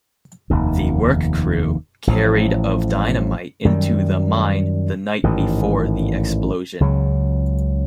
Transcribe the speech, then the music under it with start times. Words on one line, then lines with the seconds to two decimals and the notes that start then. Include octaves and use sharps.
The work crew carried of dynamite into the mine the night before the explosion.
0.50 F1 D#2 D#3
2.07 A1 A2 F3
3.65 F#2 D#3 G3
5.23 A1 G#2 D#3
6.80 C#2 C#3 F#3